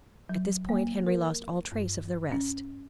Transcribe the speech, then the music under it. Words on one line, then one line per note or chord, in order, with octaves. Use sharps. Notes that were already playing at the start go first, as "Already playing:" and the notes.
At this point Henry lost all trace of the rest.
F#3
A#3
A#4
G2
C#4